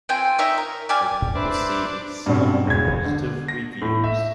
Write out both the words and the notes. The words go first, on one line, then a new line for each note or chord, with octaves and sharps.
The book received some positive reviews.
C4 F4 G5 G#5
D#4 C#5 E5
A#4
G4 D5 G#5 F6
D4 B4 C5 E5
G2 B2 C4 C#4
E1 G#6
D3
A#6
A2
E5